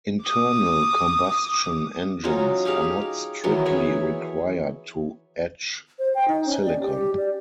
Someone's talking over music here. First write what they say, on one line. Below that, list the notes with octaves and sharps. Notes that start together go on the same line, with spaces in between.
Internal combustion engines are not strictly required to etch silicon.
D6 D#6
F#3 C#4 D#4 F4
D#4 G4 G#4 F5
D#3 E3 F#3 B3
G#4 C#5 E5
C5
G5
D#4
C#4
D5
G4
D5